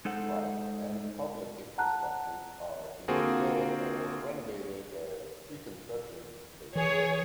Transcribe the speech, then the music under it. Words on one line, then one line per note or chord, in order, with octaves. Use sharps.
Private and public infrastructures are being built or renovated as reconstruction takes place.
G#3 D#4 A4 C5 F#5
F#5 A5 A#5 F#6
D3 A#3 C4 F4 F#4 G#4
E3 G#4 C#5